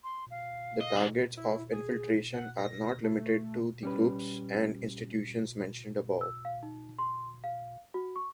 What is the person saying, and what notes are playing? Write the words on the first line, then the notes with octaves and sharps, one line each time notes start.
The targets of infiltration are not limited to the groups and institutions mentioned above.
C6
F5
D#5
G#3 D4
E4
G#4
F#5
A#6
A3
G3 C#4 B4
E6
F5
D#4
C6
F5
F#4
C#6